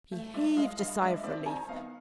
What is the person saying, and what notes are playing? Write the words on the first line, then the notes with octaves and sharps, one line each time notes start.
She heaved a sigh of relief.
A3
G#3 D5 E5
G#3 D#5 F5
G2 D#5 F5
G#3 D5 E5
D#5
C4 D5 E5
D#3 G#5 A#5
B3 D#5 F5